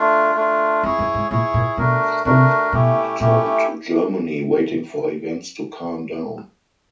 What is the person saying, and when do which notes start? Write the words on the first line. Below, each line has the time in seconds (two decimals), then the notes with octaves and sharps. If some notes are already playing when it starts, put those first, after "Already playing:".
Krupp returned to Germany, waiting for events to calm down.
Already playing: A3 D4 F4
0.35 A3 D4 F4
0.83 F2 E4 G#4 C#5
0.99 F#2
1.14 G#2
1.30 A#2 E4 G#4 C#5
1.54 A#2
1.77 B2 A3 D4 F#4 A#4
2.25 C3 A3 D4 F#4 A#4
2.72 B2 A3 C#4 E4 G4
3.20 A#2 A3 C#4 E4 G4